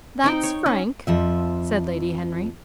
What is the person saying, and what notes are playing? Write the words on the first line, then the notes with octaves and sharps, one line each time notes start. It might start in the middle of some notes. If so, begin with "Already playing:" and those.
"That's frank," said Lady Henry.
C4 D#4 G5
C#5
C#4
F2 F3 E5